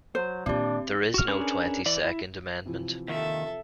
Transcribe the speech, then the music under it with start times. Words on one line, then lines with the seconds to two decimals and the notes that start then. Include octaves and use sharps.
There is no Twenty-second Amendment.
0.15 F#3 C5
0.46 A#2 D#3 C4 D4 G4
1.14 F#4 F6
1.28 C#4 D4 G#4 A#4 B4
1.86 E3 D5
2.04 E4
2.65 C3 E3 F3
3.08 D#2 D#3 A4 E5